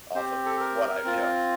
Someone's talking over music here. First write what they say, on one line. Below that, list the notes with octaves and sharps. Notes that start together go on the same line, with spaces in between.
Off of what I you know,
C4 G4 C5
A4
A#4
C4 F4